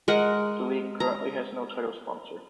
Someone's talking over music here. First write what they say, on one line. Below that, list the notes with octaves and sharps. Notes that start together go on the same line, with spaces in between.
The league currently has no title sponsor.
G#3 A#4 F#5
A#5